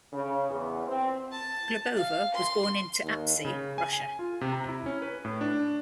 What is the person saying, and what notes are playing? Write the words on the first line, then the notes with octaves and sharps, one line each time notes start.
Glebova was born in Tuapse, Russia.
C#3
E2
C4
A5
F5
C6
D#2
C#3
G#5
G#5
F4
C3
A#5
E4
C#4
B4
A2
D4